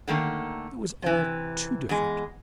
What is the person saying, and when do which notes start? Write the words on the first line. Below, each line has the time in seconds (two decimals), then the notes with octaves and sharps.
It was all too different.
0.08 D3 D#3 A3 A#3
1.02 C3 E3
1.89 E2 G#3